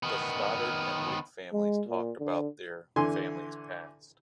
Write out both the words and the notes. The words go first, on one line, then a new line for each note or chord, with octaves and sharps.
The Stoddard and Waite families talked about there families past.
D#3 B3
G#3
A#2
D3
D3 E3 G#5 C6